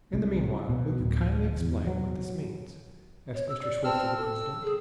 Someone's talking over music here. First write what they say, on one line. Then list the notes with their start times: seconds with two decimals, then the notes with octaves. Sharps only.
"In the meanwhile will you kindly explain, what this means?" asked Mr. Swift of the president.
0.14 C2
0.69 B2
1.00 D1
1.60 E2
1.87 F#3
3.35 C#5
3.49 E6
3.62 D5
3.84 C4 A5 E6 F6
4.17 A4 E6
4.63 G#4